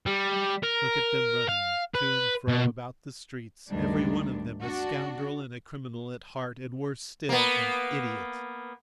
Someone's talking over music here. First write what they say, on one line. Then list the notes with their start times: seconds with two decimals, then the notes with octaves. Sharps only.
Look at them running to and fro about the streets, every one of them a scoundrel and a criminal at heart and, worse still, an idiot.
0.06 G3
0.63 A#4
1.49 F5
1.95 B4
2.48 B2
3.70 D2 G2 D#3 G3 G#3 D4
4.61 D4 F#4
7.29 A#3 B3